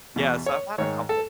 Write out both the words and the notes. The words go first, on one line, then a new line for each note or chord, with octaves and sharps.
Yeah, so I've had a couple.
E2 B2
C#5
G#2 D#3 C#5
A4